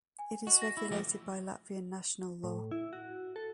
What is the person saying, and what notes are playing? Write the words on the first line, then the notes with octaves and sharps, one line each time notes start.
It is regulated by Latvian national law.
G#5
F#4 D#5
A#6
E4
F3 A3 G4
A2
E4
F#4
A4